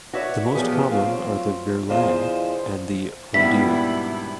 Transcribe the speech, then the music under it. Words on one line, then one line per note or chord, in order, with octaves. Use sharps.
The most common are the "virelai" and the "rondeau".
F#4 B4 C#5 D5 E5
E3 F3 A#3 B3 G4 G#4
F#3 A3 C4 F4
E2 D3 F4 C5 D5 D#5
G#1 B2 G3 B3 D4 E4 E5 B6